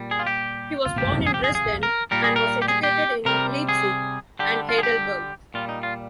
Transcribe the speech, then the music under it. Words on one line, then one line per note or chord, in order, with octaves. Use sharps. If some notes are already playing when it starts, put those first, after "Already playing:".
He was born in Dresden, and was educated in Leipzig and Heidelberg.
Already playing: A#2 G3
G#4
F4
G4
F4
C3 F3 G4
G#4
G4
G#4
G#4
A#4
A#2 G3 A#4
G#4
A#4
G4
G#4
G4
C3 G3 A#4
G#4
D3 G3 G4
F4
G#4
G4
A#2 G3 F4
D#4
F4